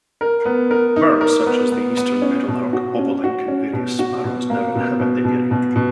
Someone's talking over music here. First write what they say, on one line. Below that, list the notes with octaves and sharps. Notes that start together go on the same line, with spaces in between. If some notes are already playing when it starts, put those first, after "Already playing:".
Birds such as the Eastern meadowlark, bobolink, and various sparrows now inhabit the area.
A#4
B3
A#4
D#4
A#4
B3
B3
B3
C#4
B2
F#4
C#4
F#4
C#4
B2
F#4
B2
A#3
B2
B2
B2
B2
B2